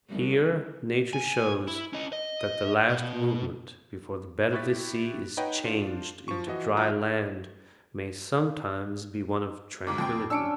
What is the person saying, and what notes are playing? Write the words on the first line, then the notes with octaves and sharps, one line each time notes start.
Here nature shows that the last movement before the bed of the sea is changed into dry land may sometimes be one of tranquillity.
C2
G#5
E4
C#4 D#5
D#5
B2
E4 G4 C#6 F#6 A6 B6
D#4 B4 C#5 D#5 F#5 G5
D4 F4 C5
F3 C#6
E3 F#4 D#5
G#1 G2 E4 F4 A#5 F#6
D2 G#2 D6
F2 G5
C#4 D4 E6 C#7 D7